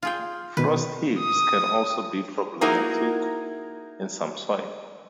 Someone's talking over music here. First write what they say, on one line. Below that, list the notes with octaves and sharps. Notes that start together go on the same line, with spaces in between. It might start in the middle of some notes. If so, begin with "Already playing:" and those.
Frost heaves can also be problematic in some soil.
F4 G#4 G5
B2 D#3 B4
D#6
A#3 D#4 E4 F#4 G#4 A#4